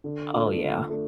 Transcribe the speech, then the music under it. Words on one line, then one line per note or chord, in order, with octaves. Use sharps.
Oh yeah.
D3
A3 D4 F4
D3
A3 D4